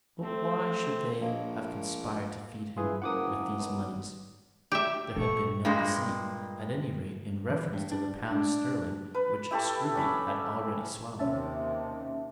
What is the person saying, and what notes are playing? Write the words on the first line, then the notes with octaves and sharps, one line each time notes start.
But why should they have conspired to feed him with these moneys? There had been no deceit, at any rate, in reference to the pounds sterling which Scruby had already swallowed.
A3 C4
A#1 A#3 C#5 D#5
E3 F4 G#4 B4
F#1 C4 A#4 F#5 D6 D#6
B1
G4 E5
A#2 A3 C#6
G2 A#2 G#3
E3
G2
D4
D4
B4
E4 G4 A4 C#6
C#4 B5
D#2 C3 C#4 E5 A5